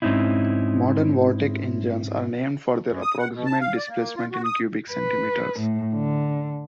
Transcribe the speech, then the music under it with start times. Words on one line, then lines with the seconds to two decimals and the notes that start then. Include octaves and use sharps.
Modern Vortec engines are named for their approximate displacement in cubic centimetres.
0.02 G#2 C4 C#4 D#4 E4
2.90 F#2
3.02 D#6
3.19 F#5
3.34 B2
3.46 A5
3.60 F5
3.76 D5
3.89 A#3
4.16 F4
4.31 F#4
4.44 D#6
4.92 B4
5.60 A2
5.94 D3